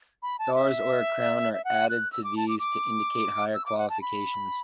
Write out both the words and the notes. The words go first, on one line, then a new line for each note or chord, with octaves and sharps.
Stars or a Crown are added to these to indicate higher qualifications.
B5
A5
E5
E5
F#5
F#6
E6
D6
A5
D6
D6
E6
D6
F#5
A5
B5